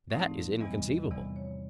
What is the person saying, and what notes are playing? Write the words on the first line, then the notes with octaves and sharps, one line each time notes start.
That is inconceivable.
A2 F3 A3 C4 D#4 D5
E2 C3 E3 G3 B3 D#5
D#5
D#5
E2 C3 E3 G3 B3 D5
C#5